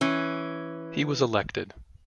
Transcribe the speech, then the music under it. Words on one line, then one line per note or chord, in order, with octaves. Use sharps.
He was elected.
E3 C#4